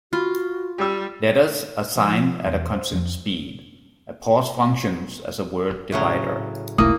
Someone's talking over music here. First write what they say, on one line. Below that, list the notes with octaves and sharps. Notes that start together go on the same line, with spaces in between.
Letters are signed at a constant speed; a pause functions as a word divider.
F4 F#4 B5
G3 G4 E6
F3
E2
C5
F2
A2 C#3 F#3
E1 B1 A3 A#3 E4 D#6